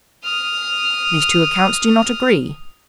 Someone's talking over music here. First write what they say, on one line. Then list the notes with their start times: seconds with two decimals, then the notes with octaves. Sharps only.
These two accounts do not agree.
0.24 D#6 F6